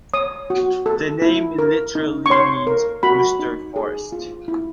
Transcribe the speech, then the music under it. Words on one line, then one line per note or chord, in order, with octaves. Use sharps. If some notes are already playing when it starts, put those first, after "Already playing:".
The name literally means rooster forest.
C#5 D#6
F#4
A4
E4
A#4
D#4
C#6
C#5 C6
A#4
F#4 B5
D#4
G#4
F4
E4